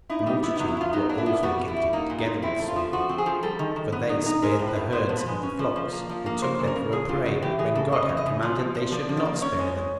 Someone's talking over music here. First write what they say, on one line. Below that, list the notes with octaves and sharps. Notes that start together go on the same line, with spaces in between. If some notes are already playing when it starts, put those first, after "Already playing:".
The multitude were also guilty, together with Saul; for they spared the herds and the flocks, and took them for a prey, when God had commanded they should not spare them.
D#4 E4
G3 D#4
B3 E4
D#4
F#3
E4
B3 F4
F#3 D#4
D4
E4
B3
G3 F#4
G3
E4
G3
A#3 D#4
A#2
D#4
A#2
C4 E4
A3
F4
F3
F3 F#4
C4
G#4
F3
G3 A4
D#3
D#3
B3
D#4
D#4
G#3 A#4
A2
B4
A2
B3 C5
F3
B4
G#3
C#4
F3
F3
A#3
F3
A#3
C#3 C5
C#3
A#4
C#3
F3 G#4
C#3 F4
C#3 F#4
E3 G4
E3 G#4
C#3 A4
C#3 D#5
E3
D#5
C#3
F3
F3
F3
F3 D5
F3
D5
A#3
C#4 C#5
G#3
G#3